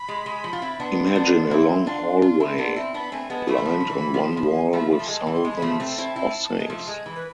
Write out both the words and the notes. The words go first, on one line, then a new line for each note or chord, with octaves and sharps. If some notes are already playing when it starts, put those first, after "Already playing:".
Imagine a long hallway, lined on one wall with thousands of safes.
Already playing: B5
G#3
G#3
F3
F4
C4 E4
B3 D4 C6
C4
B3 D4
C4 E4
D4 F4
D4 F4
C4 E4
B3 D4
C4 E4
B3 D4 B5
A3 C4 G#5
G#3 B3 A5
F3 A3 B5
E3
F3
D3
E3
F3
C6
F3 B5
F5
G#5
F3 A3 B5
B5
F3
G#5
G#3 A5
E3
C6
G#3
A5
B5
F3 A3
A3 C4 A5
C4 E4
C4 E4
G#3
F3 A3
G#3
E3
B4